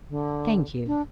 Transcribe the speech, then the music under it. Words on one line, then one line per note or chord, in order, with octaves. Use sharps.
'Thank you.
D3
D4